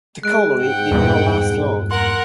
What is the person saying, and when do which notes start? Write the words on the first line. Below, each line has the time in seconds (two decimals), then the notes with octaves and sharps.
The colony did not last long.
0.23 G#3 F#6 D7
0.61 G#2 F#5 G5
0.91 E2 G2 A#2
1.91 A#4 F#5 C6